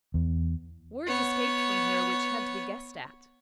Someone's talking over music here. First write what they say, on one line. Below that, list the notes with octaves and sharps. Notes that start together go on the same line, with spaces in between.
Words escaped from her which had to be guessed at.
E2
B3 C#5